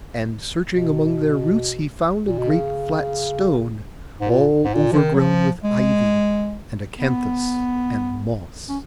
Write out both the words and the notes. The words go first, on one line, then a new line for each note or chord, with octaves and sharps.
And searching among their roots he found a great flat stone, all overgrown with ivy, and acanthus, and moss.
B2
A#2
B2
C#3
G#2
A#2
G#2
A#2
F3
D#3
F#3
F3
G#3
B3
C#4